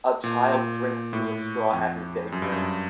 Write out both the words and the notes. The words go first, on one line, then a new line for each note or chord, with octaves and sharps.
A child drinks through a straw at his daycare.
A#2
A#2
A2
F2
F#2
G2
F#2
G2